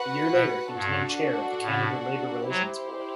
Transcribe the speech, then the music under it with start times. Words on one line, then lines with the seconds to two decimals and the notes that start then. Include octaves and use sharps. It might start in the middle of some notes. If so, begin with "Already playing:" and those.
A year later, he was named chair of the Canada Labor Relations Board.
Already playing: F#4 B4 F#5
0.32 B2
0.75 G2 D4 F#4 A4
1.62 A2
2.48 F#3 E4 G4 C5